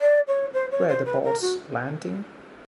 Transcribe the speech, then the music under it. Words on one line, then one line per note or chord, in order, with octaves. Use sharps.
Were the boats landing?
D5
C#5
C5
C#5
C5
B4
A#4
F#4